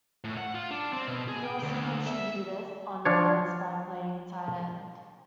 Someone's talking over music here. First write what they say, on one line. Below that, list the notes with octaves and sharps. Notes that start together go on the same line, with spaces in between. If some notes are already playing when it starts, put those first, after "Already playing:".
He also contributed on offense by playing tight end.
A2
F#5
F4
D4
C4
B2
G#4
G5
D2
E5
F3 D4 C#5